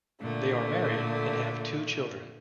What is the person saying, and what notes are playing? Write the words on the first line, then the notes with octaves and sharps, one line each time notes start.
They are married and have two children.
A#2 D3 A3